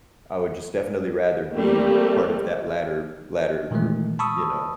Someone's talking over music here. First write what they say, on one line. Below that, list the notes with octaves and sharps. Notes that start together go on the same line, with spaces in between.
I would just definitely rather be part of that latter latter group. You know?
G3 A3 A#3 C4 G4
A#2 D#3 E3 G#3 A3
A5 B5 C#6 D#6 E6